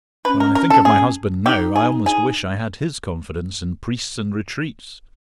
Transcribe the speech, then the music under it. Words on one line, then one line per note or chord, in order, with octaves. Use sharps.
When I think of my husband now, I almost wish I had his confidence in Priests and Retreats.
C#4 B4
A#4
A#4
A4
G#4
D#4 G4
G#4
G#4